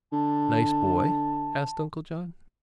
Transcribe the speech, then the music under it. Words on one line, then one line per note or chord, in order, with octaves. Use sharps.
"Nice boy?" asked Uncle John.
D3 A5